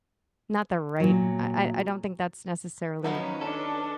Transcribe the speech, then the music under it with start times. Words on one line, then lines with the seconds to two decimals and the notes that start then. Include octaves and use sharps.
not the right I I I don't think that's necessarily
1.00 A#2 F#3
3.04 F#2 D#3 F3 F#3 B3 C#4 D#4 B4
3.41 D4 A4